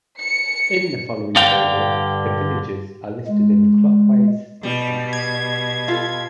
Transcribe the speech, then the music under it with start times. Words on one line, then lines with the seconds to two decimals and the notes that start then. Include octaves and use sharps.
In the following table, the villages are listed in clockwise sequence.
0.18 C#7
1.36 G2 D3 F5 G5
3.27 G#3
4.63 B2 G3
5.13 G#6
5.88 F4 A4